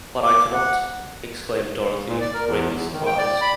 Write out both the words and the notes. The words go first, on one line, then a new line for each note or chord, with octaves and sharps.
"But I cannot!" exclaimed Dorothy, greatly surprised.
D6
F#5
A#2
D5
A#4
E2
E2
D#3
G5
D5
B5